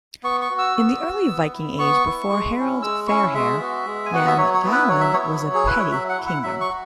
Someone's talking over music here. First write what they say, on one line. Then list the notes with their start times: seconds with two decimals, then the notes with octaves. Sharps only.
In the early Viking Age, before Harald Fairhair, Namdalen was a petty kingdom.
0.23 B3 C#6
0.41 C#6
0.50 F#4
0.58 E6
0.76 B3
1.01 F#4
1.27 B3
1.53 E4
1.79 B3 C#6
2.05 E4
2.30 G#3
2.56 C#4 E4
2.82 G#3 E6
3.07 C#4 E4 C#6
3.34 G#3 E5
3.59 B3 F#4
3.86 G#3
4.06 G#5
4.11 B3 F#4 F#5
4.27 E5
4.37 F#3 C#5
4.54 C#5
4.63 B3 E4
4.72 B4
4.89 F#3 C#5
5.00 E5
5.14 B3 E4 C#5
5.40 F#3
5.54 G#4
5.66 E4 B4
5.79 C#5
5.92 F#3 E5
6.09 F#5
6.18 E4
6.26 F#5
6.43 F#3 E5
6.61 C#6
6.69 F#4